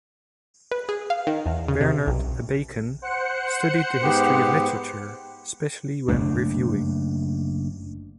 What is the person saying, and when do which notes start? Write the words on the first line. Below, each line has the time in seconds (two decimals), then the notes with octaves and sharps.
Bernhard Abeken studied the history of literature, specially when reviewing.
0.71 B4
0.89 G#4
1.10 F5
1.27 D#3
1.46 E2
1.68 C#3
1.81 C3
2.07 B1
3.02 C5 F#5 C#7
4.03 G#2 B3 G4
6.08 F#1 F2 A3 D4